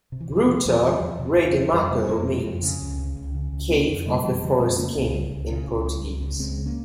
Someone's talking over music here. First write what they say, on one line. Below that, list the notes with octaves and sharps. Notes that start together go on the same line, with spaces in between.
Gruta Rei do Mato means "Cave of the Forest King" in Portuguese.
C3
E3
E2
C3 F3
E2 F3 G#3
C3 E3 G3
G3
E2 F3
C3
E2
C3 F3
F2 E3 G3
C3 G3 A#3
F2 A#3 C#4
C3 G#3 C4
F2
C#3
C#2
C#3
C#2
C#3
C#2
C#3 A#3 C#4
F2
C#3 G3 A#3
F2 E3 G3
C#3 E3 G3
F2 G#3 C4
C#3 A#3 C#4
C#2
C#3
C#2
C#3
C#2
C#3
C#2
C#3
C#2 G#3 C4
C#3
A#3 C#4